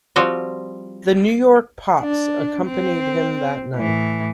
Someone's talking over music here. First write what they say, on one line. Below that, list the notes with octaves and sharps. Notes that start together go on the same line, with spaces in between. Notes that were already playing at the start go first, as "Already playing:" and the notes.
The New York Pops accompanied him that night.
F3 G3 C4 F4 F#4
D4
C4
A2 E3